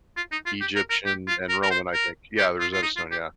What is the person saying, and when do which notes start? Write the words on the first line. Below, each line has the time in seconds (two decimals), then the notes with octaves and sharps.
Egyptian, and Roman, I think yeah, the Rosetta Stone, yeah.
0.17 F4
0.32 D#4
0.46 F4
0.61 G4
0.76 A#4
0.90 A#4
1.06 G4
1.28 F4
1.50 A#4
1.63 A#4
1.71 C5
1.94 A#4
2.38 G4
2.60 F4
2.74 F4
2.83 D#4
2.97 F4
3.12 G4